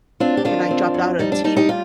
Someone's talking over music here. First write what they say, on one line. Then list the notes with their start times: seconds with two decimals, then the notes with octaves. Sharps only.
and I dropped out of the team,
0.20 C4 D4 F4
0.37 G4
0.45 D#3 D4 F4
0.70 C4
0.94 F2
1.19 G3 D#4
1.32 D4
1.44 G3 D#4
1.57 D#4 G4
1.69 F4